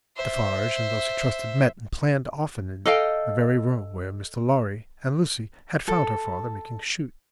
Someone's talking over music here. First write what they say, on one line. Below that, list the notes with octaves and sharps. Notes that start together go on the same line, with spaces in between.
Defarge and those he trusted met and planned often in the very room where Mr. Lorry and Lucie had found her father making shoes.
C5 E5
A4 D#5 F5 G5
A4